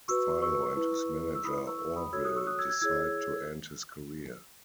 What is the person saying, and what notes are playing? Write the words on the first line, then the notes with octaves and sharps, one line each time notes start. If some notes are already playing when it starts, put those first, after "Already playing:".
Philo and his manager Orville decide to end his career.
F#4 B4 C#6 E6
C#6 E6
E4 B4
E6
E4 B4 B5 D#6
C#6 E6
C#6 E6
B5 D#6
F#4 A4 C#5 E6 G#6
D#6 F#6
C#6 E6
D#6 F#6
E6 G#6
E6 G#6
E4 G#4 C#5 E6 G#6